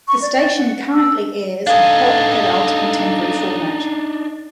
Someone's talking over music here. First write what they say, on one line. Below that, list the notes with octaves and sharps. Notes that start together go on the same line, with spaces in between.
The station currently airs a Hot adult contemporary format.
C#6
D5
D5
F#5
E6
D4 D#4 A4 F5 G#5 G#6